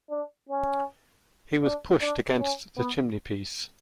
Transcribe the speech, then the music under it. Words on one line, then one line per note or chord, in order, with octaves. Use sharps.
He was pushed against the chimney-piece.
D4
C#4
D4
D4
C#4
B3